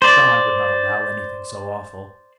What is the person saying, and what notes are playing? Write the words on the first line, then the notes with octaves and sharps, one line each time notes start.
"God would not allow anything so awful!"
C5 D5